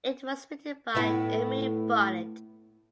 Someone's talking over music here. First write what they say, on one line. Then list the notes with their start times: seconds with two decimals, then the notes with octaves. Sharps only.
It was written by Emery Bonnett.
0.95 A2 B3 E4